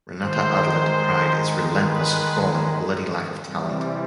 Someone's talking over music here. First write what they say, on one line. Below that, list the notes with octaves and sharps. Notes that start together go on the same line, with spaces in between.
Renata Adler decried "its relentless, crawling, bloody lack of talent".
D#3 G#3 C5
B4
C3 E3 G3